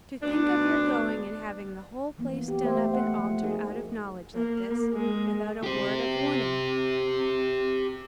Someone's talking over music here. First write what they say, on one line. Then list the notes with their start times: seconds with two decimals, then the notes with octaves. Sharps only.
To think of your going and having the whole place done up and altered out of knowledge like this, without a word of warning!
0.23 D2 B3 D4
2.18 E3 F3 A#3 B3
2.48 G4
2.64 A3 C5 E5
2.94 A3 F#5
3.18 F3 A3
3.42 D#4 F#4 G#4 A#4
4.35 A#3
4.93 G#3
5.63 G4 C5